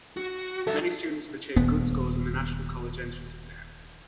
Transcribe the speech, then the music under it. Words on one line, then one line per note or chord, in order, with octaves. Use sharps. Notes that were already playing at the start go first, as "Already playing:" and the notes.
Many students have achieved good scores in the national college entrance exam.
F#4
G3 A4 E5
D#1 B3